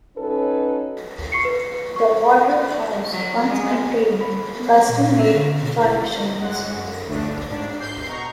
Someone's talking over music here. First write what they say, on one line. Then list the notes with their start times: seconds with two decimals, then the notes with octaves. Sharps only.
The Warder house once contained custom-made furnishings.
0.16 F#3 C#4 D#4 A4 B4
1.32 C#6 C7 C#7
1.45 B4
1.96 C#6
2.45 C5
3.11 F#3
3.45 G#3
4.21 B5
4.60 B3
4.89 A#2
5.20 E5
5.34 D3
5.63 B2
5.85 E4
6.38 G1 G#3 F#5
6.75 F#2
7.07 G1 A3 D4
7.50 G#2 D4
7.79 G6 C7
8.08 B2 A#5 C#6